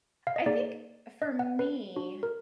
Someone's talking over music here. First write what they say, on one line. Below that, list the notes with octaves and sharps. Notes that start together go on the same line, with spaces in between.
I think for me,
F5
D#5
A#3 D#4 G#4 D5
D#5
F#5
B4
D4 F#4
A#4